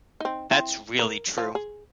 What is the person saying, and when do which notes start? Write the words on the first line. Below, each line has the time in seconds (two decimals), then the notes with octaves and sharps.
That's really true.
0.20 C4 D#4
0.51 C4 E4
0.99 A#4
1.38 F3
1.55 G#4